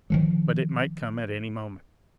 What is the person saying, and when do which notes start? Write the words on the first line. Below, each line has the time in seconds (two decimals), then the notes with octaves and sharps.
But it might come at any moment.
0.10 D#3 F3 F#3